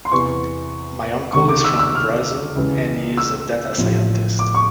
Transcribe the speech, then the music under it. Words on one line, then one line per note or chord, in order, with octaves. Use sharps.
My uncle is from Brazil and he is a data scientist.
C6
E2 C3 E3 C#6
C#2 C3 D#3 C#6
D6
E6
E6
F6
C#2 C#3 E3
E6
A1 A2 F3
D6
C#6